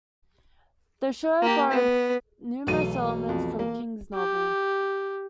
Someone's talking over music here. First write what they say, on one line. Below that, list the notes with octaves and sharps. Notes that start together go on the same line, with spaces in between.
The show borrowed numerous elements from King's novel.
A#3 G4
B3
B1 E2 A3 F5 D#7
F2
A#3
G4